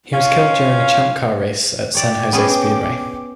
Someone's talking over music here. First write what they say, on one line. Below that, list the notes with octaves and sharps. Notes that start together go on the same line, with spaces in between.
He was killed during a champ car race at San Jose Speedway.
C#4 F4 F5
C#5 D5 E5 G5 D6
B3 C#4 G#4